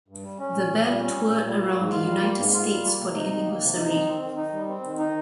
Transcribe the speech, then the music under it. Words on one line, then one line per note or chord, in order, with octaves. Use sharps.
The band toured around the United States for the anniversary.
G2
G3
C#4
A#2
A#2
G3
C#4
A#2
A#2
G3
A#3
G#2
F4
G3
A#3
G#2
F4
G3
A#3
C3
D#4
D#3
A#3
C3
D#4
D#3
C4
D#3
D#4
G3
C4
D#3
D#4